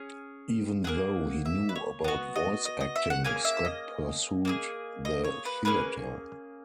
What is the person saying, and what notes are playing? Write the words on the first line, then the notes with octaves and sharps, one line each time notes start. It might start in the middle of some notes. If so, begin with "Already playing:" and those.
Even though he knew about voice acting, Scott pursued the theater.
Already playing: C#4 G#4
A#3 E4 G#4 F#5
E5
B4
C#5
B3 F#4 D#5
D#5
D#5
D#5
E5
F#5
A#3 C#4 G#4 G#5
E5
D#5
A#3 D#4 G#4
D#5
C#5
B4
A#3 C#4 G#4 B4